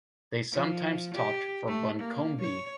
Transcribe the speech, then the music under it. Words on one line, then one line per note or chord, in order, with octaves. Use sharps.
They sometimes talked for Buncombe.
F3
G4
A3
A#3
C#5